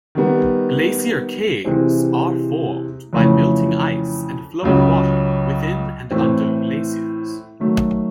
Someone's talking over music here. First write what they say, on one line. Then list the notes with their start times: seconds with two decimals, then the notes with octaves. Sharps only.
Glacier caves are formed by melting ice and flowing water within and under glaciers.
0.15 D#3 G3 B3
1.65 C3 E3 G#3 C4
3.13 F2 C#3 E3 A3
4.63 C#2 C#3 F#3
6.11 A2 E3 A3 C4
7.60 D#3 F#3 A3